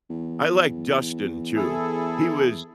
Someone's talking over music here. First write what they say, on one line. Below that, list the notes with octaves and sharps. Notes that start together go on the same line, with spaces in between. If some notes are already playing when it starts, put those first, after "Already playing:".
I like Dustin too. He was
E2
E4 G#4 A4